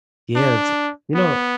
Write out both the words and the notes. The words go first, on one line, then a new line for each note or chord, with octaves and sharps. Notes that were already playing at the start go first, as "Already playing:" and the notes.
Yeah, it's you know
D4
B3